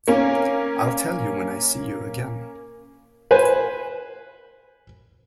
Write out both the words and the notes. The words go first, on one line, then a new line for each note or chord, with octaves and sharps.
I'll tell you when I see you again.
A#3 C#4
B4 C5 G#5